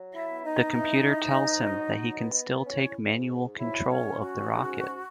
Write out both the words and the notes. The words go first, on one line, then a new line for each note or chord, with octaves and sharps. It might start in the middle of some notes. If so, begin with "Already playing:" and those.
The computer tells him that he can still take manual control of the rocket.
Already playing: F#3
E4 E5
B3
D#4 D#5
E4
G#2
F#3
B3
C#4 E4 C#5
G#2
F#3 E4 E5
C#4 C#5
C#4
F#4
G#2